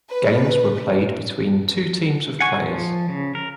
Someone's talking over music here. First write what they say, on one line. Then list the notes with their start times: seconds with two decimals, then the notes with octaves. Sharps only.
Games were played between two teams of players.
0.10 B4
2.40 F#5 G#5 C#6
2.63 F3
3.09 C#3
3.35 A#4